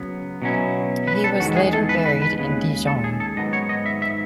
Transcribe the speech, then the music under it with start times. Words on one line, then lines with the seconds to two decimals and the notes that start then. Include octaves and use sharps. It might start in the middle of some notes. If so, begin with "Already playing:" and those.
He was later buried in Dijon.
Already playing: C#3 F#3 B3
0.42 B2 F#3 C#4 E4
1.07 B4
1.24 A4
1.40 E2 D#3 G#3 F#4
1.56 G#4
1.73 A4
1.89 B4
2.06 B4
2.22 B4
2.38 D#2 C#3 G#3
2.87 A4
3.04 G#4
3.20 A4
3.36 G#2 D#3 F#3 B3 D#5
3.53 C#5
3.69 D#5
3.86 E5
4.02 E5